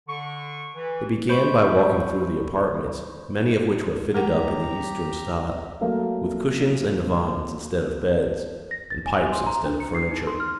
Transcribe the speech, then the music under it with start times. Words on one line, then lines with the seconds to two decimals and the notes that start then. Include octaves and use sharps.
They began by walking through the apartments, many of which were fitted up in the Eastern style, with cushions and divans instead of beds, and pipes instead of furniture.
0.08 D3 C#6
0.75 E3
1.29 C5 B5 C#6 G6
4.14 G#3 G4 A#4 F#5 A#5
5.81 F#3 A3 A#3 A#4 F5
8.71 A#6
8.90 A6
9.06 G#5
9.20 F7
9.32 C6
9.46 A#5
9.65 D4
9.80 C#7
9.95 C7
10.12 D#4
10.27 C6
10.40 F6